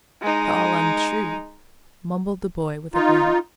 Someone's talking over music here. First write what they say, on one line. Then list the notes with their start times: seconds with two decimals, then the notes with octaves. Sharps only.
"It's all untrue," mumbled the boy, with a grin.
0.22 G#3 D#4
2.94 D#4 F4